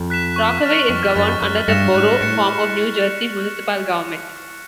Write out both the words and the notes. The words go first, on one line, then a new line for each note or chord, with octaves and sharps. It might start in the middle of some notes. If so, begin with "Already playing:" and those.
Rockaway is governed under the Borough form of New Jersey municipal government.
Already playing: F2
F#6 B6 E7
C#6
F6 A6
F2 C#6
F2
F#2 F6 A6
F#2 F#6
G2 A#6 C#7 E7
G#2 F#6
A2 A#6 C#7 E7